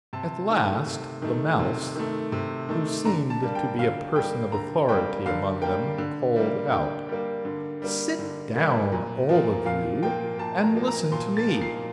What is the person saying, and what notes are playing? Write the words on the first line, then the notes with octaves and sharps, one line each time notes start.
At last the Mouse, who seemed to be a person of authority among them, called out, 'Sit down, all of you, and listen to me!
C3 A5
D#3 A3
C3
D#3 A3
C3
D#3 A3
C3
D#3 A3
D3 A#5
A5
G3 A#3
G5
D3 F5
G3 A#3 G5
D3 A#5
G3 A#3 G5
D3 F5
G3 A#3 G5
D3
G3 A#3
D3 G5
G3 A#3
D3
G3 A#3
D3
G3 A#3
A#2
F3 A#3
A#2 F5
F3 A#3 G5
A#2 A5
A#5
F3 A#3
A#5
A#2 C6
A6
F3 A#3
C7